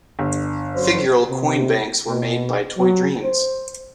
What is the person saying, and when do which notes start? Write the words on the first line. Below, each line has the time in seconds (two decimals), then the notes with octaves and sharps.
Figural coin banks were made by Toy Dreams.
0.19 G1
0.74 F#2 F#3 C5
1.30 C3
2.08 B2
2.77 F#3
3.23 C5